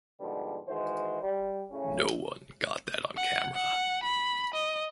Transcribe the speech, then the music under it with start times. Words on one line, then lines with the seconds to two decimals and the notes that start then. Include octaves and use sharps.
No one got that on camera.
0.20 G#2 B2 D3 F3 G3
0.68 D#3 E3 G#3 F#4 C5
1.21 G3
1.71 A2 C#3 C#4
3.16 F#5
3.55 F#5
4.03 B5
4.54 D#5